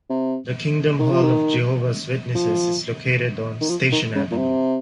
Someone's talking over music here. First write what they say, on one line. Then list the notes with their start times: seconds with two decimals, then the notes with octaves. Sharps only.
The Kingdom Hall of Jehovah's Witnesses is located on Station Avenue.
0.10 C3
0.99 D#3
1.10 F3
1.23 D#3
2.35 F3
3.61 D#3
3.69 F3
3.92 D#3
4.15 C#3
4.31 A#2
4.37 C3